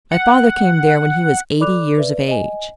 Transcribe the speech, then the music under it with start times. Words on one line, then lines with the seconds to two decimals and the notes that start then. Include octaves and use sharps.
My father came there when he was eighty years of age.
0.12 F#5
1.60 A4 D5 B5 D6 F#6 F7
1.98 B4 D5 E5
2.28 D#5 G#5